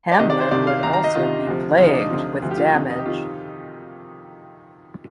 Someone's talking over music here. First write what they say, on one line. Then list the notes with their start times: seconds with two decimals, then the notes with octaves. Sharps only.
Hamlin would also be plagued with damage.
0.12 D5
0.19 C2 C3 D#3 D#5
0.30 D5
0.40 C5
0.51 C2 C3 D#3 D5
0.67 F5
0.83 C2 C3 D#3 A#5
0.93 A#5
1.04 D#5
1.15 C2 C3 D#3 F4
1.47 D2 C3 F3
1.78 D2 C3 F3 F4
1.86 D#4
1.93 D4
2.01 D#4
2.10 D2 C3 F3
2.42 D2 C3 F3
2.51 G4
2.58 F4
2.74 F2 C3 D#3 D#4
2.90 D#4
2.99 G4
3.06 C3 D#3 F4